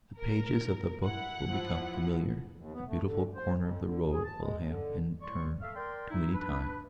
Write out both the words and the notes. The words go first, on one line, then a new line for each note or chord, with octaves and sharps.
The pages of the book will become familiar; the beautiful corner of the road will have been turned too many times.
A#4
E4 F#5
F3 E4
D#2
B3
A3
D3
C5
F2
D3
B2
G#4
A5
G#3
D3
A2 G#3 D5 C6 C#6
A4 E5 F5
A#4 D5 G5 C6
D#4 E4
D4 B4